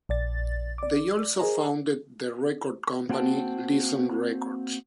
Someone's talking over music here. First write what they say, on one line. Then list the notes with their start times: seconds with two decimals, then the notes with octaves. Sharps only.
They also founded the record company Listen Records.
0.09 A#1 D5 A6
0.78 D5 D6
1.39 G#4 A#4 C5 D#5 G#5 A#5
3.09 A#3 C4 F#4 G5 A5